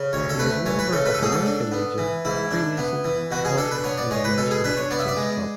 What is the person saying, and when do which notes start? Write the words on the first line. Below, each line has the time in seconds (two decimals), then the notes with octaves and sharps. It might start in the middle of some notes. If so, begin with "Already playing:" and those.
He was a member of American Legion, Freemasons, Elks, and the National Exchange Club.
Already playing: C#3
0.13 D2 C#5
0.29 A4
0.39 A3 B4
0.66 E3 C#5
0.79 B4
0.92 C#3 A4
1.05 B4
1.14 A4
1.19 G#2 G#4
1.32 A4
1.46 D4
1.72 B3
1.98 E3
2.25 G#2 E4
2.51 D4
2.77 B3
3.04 E3
3.31 B2 F#4
3.45 G#4
3.57 D4 A4
3.71 B4
3.84 B3 C#5
3.98 D5
4.11 G#3 C#5
4.24 B4
4.37 B2 A4
4.51 G#4
4.64 D4 B4
4.77 C#5
4.90 B3 D5
4.99 E5
5.08 D5
5.16 G#3